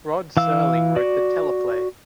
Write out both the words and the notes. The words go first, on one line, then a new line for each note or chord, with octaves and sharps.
Rod Serling wrote the teleplay.
E3 F5 E6
F#4 D5